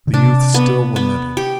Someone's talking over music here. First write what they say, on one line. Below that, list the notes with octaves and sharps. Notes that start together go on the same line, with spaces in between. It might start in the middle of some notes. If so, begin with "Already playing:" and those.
The youth still lamented.
D3
C3 D4
B3
B3
G4